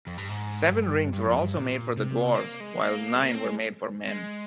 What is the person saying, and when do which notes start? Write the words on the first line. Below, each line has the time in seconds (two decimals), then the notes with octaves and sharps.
Seven Rings were also made for the Dwarves, while Nine were made for Men.
0.07 F2
0.18 G2
0.29 G#2
0.71 G2
1.13 G2
1.27 F2
1.41 G2
1.55 A#2
1.97 C3
2.35 C4
2.39 A#3
2.60 G#3
2.81 A#3
3.15 G#3
3.23 A#3
3.34 C4
3.45 G#3
4.07 G#3